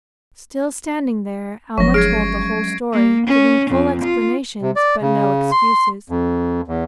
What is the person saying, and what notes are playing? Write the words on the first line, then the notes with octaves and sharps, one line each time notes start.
Still standing there, Alma told the whole story, giving full explanations, but no excuses.
G1 F3 F#3 G#3 C#4 C#6 A#6
G#4 G#6 C7 D7
A#3
C#4
F2
F4
C3
D5
C#3
C6
F2
E2